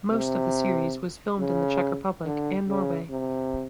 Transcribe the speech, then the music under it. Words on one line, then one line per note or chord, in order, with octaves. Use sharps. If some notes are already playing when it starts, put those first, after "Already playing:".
Most of the series was filmed in the Czech Republic and Norway.
C3
C#3
D3
C#3
C3